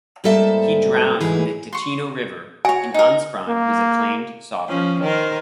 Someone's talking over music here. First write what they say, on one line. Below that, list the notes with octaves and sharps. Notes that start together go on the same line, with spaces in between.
He drowned in the Ticino River and Ansprand was acclaimed sovereign.
G#2 G3 A#3 A4 C5 E5
G#2 E3 G#4
C6 C#6
F#4 C#5 G#5
D#4 A#4
A#3
F3 C#4
D#3 A#4 C5